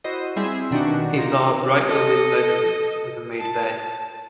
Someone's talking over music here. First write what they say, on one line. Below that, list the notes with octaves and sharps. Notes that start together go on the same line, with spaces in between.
He saw a brightly lit bedroom with a made bed.
E4 F#4 C5 D#5
G3 C4 E4 G#4 C5 E5
B2 D#3 D4 D#4 F#4 G4
D#4 F4 A#5
A4 D#5
A5